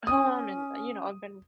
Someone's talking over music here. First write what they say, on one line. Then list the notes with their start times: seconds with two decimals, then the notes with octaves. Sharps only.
home and, you know, I've been
0.07 C#4 D#6